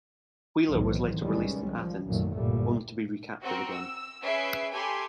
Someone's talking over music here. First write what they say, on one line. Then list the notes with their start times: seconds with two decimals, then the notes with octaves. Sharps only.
Wheeler was later released in Athens only to be recaptured again.
0.69 B1 E2 A2 D#3 F#3 C4
1.20 C2 D#3 E3 G3 G#3 C#4
1.76 F3
2.06 C2 F#2 A#2 D#3 F#3 A3
2.35 G1 C2 F#2 A#2 G3 A3
3.42 C4 F#4 A#4
3.72 E6
4.23 C#4 G#4 B4 E5 C7 D7
4.73 G4 A4 G#5 B5 C6